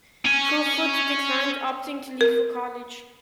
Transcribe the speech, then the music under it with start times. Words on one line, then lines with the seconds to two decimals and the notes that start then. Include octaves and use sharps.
Kerfoot declined, opting to leave for college.
0.25 C#4 G#5
2.21 A#4